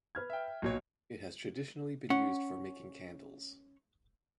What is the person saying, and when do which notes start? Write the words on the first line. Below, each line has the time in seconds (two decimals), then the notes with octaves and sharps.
It has traditionally been used for making candles.
0.15 B4 F6 G#6
0.30 E5 G5
0.62 B1 A#2 F#3 C#5
2.10 C#4 F#5